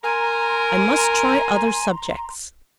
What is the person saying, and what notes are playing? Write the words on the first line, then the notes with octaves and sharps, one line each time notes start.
"I must try other subjects."
A#4 G#5 A#5 C6